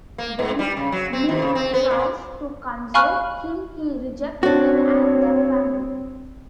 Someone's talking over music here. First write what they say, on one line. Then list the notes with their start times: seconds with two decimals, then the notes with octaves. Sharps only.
When "Min" tries to console him he rejects her and the family.
0.18 A#3
0.39 G#2
0.59 G3
0.77 C#3
0.92 F#3
1.13 C4
1.29 D#2
1.42 C#3
1.55 C4
1.73 B3
1.91 A#2
2.94 F5 G#5 B5 C#6 F6 F#6
4.43 C4 D4 F#4 C#5